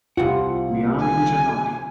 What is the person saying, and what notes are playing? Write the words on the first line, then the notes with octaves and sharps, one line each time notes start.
We are in July.
C2 F4 G4 F#5
G#5